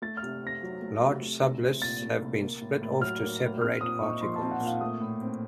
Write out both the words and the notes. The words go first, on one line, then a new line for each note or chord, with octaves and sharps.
Large sublists have been split off to separate articles.
A3 A6
F6
C3
C4 A#6
F#3
A3
C3
A3
C2
C4
A#2 A6
A3
C2
A#3
A2
A2
F#3 F6
A#3
A2
C4 F6
A#2 D#6
D#4 C#6
F3 C6
A5
C4
F#5
A#2
F5
A3 D#6
A2
C4